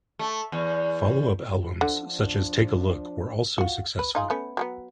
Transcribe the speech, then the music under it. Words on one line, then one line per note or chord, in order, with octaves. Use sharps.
Follow-up albums such as "Take a Look" were also successful.
A3
E2
D3 F3 D4
F4 F#4
B4
D#4 F4 G#4
A3 B3 C#4
F#3 G#3 B3